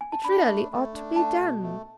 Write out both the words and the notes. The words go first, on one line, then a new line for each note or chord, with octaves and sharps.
It really ought to be done.
G#5
A5
D4 B5
A3
A3
D4
A3 A5
B2
A3